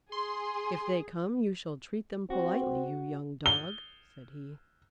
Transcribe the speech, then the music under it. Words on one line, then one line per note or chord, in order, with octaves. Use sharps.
"If they come, you shall treat them politely, you young dog," said he.
G#4 C6
C4 F#4
G7